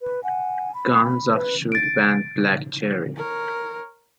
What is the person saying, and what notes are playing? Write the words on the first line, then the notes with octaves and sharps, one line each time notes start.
Guns offshoot band Black Cherry.
B4
F#5 G#5
B5
B4
A6 D7
A#4 C#5